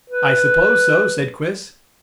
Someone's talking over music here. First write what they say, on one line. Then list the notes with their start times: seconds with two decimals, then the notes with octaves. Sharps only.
"I suppose so," said Chris.
0.10 B4